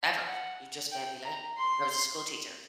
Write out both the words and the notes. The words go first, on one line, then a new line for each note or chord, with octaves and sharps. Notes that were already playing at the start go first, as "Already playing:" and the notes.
Ever, you just can't be late. I was a school teacher.
F#5
G5
A#5
C6